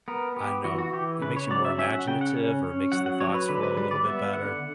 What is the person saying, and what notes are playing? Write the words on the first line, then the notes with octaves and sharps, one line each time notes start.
I don't know, it makes you more imaginative or makes the thoughts flow a little bit better.
B3 A#4
B3 G4
E3 F#4
F#4
E3 G4
C#3 B4
C#5
F#3 D5
E5
C#4 E5
F#5
C#3 G5
F#5
C#4
C#4
F#3 F#5
F#5
F#3 C#5
B4
D3 B4
B4
G3 B4
D5
B3 E5
D3 F#5